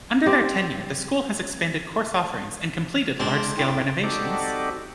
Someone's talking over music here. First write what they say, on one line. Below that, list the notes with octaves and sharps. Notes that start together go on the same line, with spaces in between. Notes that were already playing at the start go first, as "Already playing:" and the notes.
Under their tenure, the school has expanded course offerings and completed large-scale renovations.
C4 G4
G#3 C4 D4
A2 D4 G5
C4 D#4 F#4 G4 A4 D5